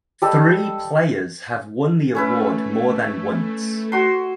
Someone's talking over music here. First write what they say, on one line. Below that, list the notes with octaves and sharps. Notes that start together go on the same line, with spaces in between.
Three players have won the award more than once.
G3 A4 D#5
A3 C#4 E4 B4
F#4 C6